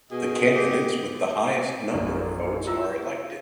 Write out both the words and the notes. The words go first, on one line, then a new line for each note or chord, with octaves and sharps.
The candidates with the highest number of votes are elected.
B2 G#4 D#5
G4
A#1 F#2 A#3 D5
E4 F4 E6